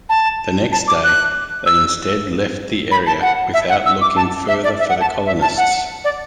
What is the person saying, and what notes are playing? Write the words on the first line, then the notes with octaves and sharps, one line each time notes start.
The next day, they instead left the area without looking further for the colonists.
A5
A5
D6
F#6
E6
B5
A5
F#5
E5
F#5
E6
D6
A5
E5
D5
E5
F#5
A5
E5
A5
F#5
D5